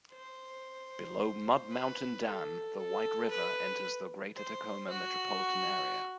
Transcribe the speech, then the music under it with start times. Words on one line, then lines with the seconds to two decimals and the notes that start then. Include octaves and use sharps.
Below Mud Mountain Dam the White River enters the greater Tacoma metropolitan area.
0.12 C5
1.71 B4
2.24 A4
2.78 A4
3.30 B4
4.36 C5
4.89 F#4